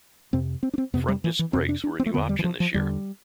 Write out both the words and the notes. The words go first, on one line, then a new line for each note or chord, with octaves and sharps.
Front disc brakes were a new option this year.
F2 C3 C4
C4
D4
C4
F2 C3 B3
G3
E3
E3
F2 C3 C4
D4
D4
C4
A3
E2 D3 B3
G3
E3
F3
F3
E2 D3 G3